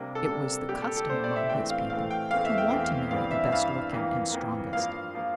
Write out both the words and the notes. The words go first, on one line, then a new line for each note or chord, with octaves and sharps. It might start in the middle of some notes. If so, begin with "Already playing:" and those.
It was the custom among his people to want to marry the best looking and strongest.
Already playing: C3 G3 A#3 D4
A4
C3 G3 A#3 D4
A#2 G3 D4 G4
A4
A4
A#2 G3 D4 C5
D5
E5
A2 E3 A3 C4 G5
F5
A2 E3 A3 C4 F5
G5
E2 E3 A3 C4 F5
E5
G5
E2 E3 A3 C4 G5
F5
G2 E3 G3 C4 F5
E5
G2 E3 G3 C4 F5
F2 E3 A#3
F2 E3 A#3
G2 F3 A#3 F5
F3 A#3